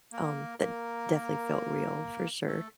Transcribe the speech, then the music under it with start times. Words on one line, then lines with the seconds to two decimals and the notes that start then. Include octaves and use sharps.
um, that definitely felt real, for sure.
0.12 A#3 A#4
0.59 A#3 A#4
2.46 A3 A4